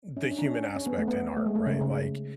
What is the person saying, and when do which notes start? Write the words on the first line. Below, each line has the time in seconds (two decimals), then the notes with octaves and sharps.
the human aspect in art, right? Like,
0.17 C#4
0.24 D4
0.31 C#4
0.38 D4
0.45 C#4
0.76 C#4
0.86 B3
0.98 A3
1.08 B3
1.37 A3
1.46 G#3
1.55 A3
1.66 C#3
1.81 C#3